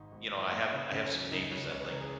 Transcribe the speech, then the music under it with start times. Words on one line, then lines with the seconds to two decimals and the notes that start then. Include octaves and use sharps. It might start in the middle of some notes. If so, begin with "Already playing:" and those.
you know, I have I have some neighbors that, like,
Already playing: G#1 G#2 D#4
0.12 G#1
0.32 E3
0.52 A#3
0.72 C#3
0.91 D#2 C#4
1.12 F#3
1.31 C#2 D#4
1.51 C#3 C#5
1.70 C#2 C#5
1.81 B4
1.90 E3 A#4
2.01 G#4